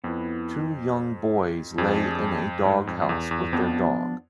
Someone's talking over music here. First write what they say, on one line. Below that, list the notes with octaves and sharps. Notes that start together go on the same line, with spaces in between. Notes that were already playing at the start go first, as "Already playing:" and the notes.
Two youn boys lay in a dog house with their dog.
F2 B3 E4 B4
F2 A3 D4 G#4
G#2
F2
F2
E2
E2
F2 F3 B3 D4 F4